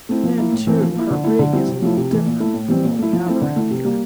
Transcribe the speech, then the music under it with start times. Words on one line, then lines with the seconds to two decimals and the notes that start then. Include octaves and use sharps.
Then, too, her rig is a little different from what we have around here.
0.09 A3 C4 E4
0.23 F3
0.37 A#3 E4
0.52 A2
0.67 E3 A3 C4
0.81 F3
0.95 A#3 E4
1.10 D3
1.24 A3 E4
1.39 D3
1.53 G3 C4 E4
1.68 C3
1.82 F3 A3 E4
1.97 C3
2.11 E3 A3 E4
2.26 A#2
2.40 A3 E4
2.54 A2
2.68 E3 G3 C4
2.83 A#2
2.99 A3 E4
3.13 F3
3.26 A3 C4 E4
3.42 D3
3.56 A3 E4
3.71 C3
3.85 G3 A#3